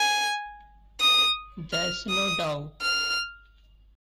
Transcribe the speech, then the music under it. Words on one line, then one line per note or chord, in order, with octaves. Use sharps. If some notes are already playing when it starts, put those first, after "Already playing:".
There's no doubt?
Already playing: G#5
D#6
F6
D#6
F6